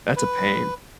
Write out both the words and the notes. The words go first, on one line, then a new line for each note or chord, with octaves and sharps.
That's a pain.
B4